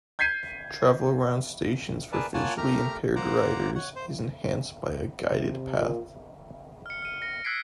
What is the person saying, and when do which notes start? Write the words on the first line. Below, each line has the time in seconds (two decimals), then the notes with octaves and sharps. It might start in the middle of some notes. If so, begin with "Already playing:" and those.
Travel around stations for visually impaired riders is enhanced by a guided path.
0.19 G6 G#6 B6 C7 D#7
2.12 G#4 A#4 B4 D5 A5
2.34 A#3 F4 C#5 F#5 G#5 A5
2.58 A3 G4 A#4 A#5 F6
3.16 A#3 C5 F#5 A#5 D6
3.75 C#5 F#5
3.96 C5
5.29 C3
5.75 A#2
6.86 F6 C#7
7.02 F6 D#7
7.22 A#6 C#7
7.44 E6 F#6 G#6 B6 C7 D7